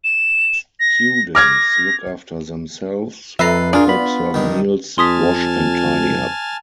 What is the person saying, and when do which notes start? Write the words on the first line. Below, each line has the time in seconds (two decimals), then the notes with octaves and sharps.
Students look after themselves, help serve meals, wash and tidy up.
0.04 E7
0.80 A#6
1.35 D6 F6 G#6 A#6
3.39 F2 A4 B4 E5 A#5 C7
3.73 D4 F4 G#4 A#4 D5
3.87 B3 B5
4.34 G2 D#3
4.98 F2 G#5 A5 C6 D#6 F6 B6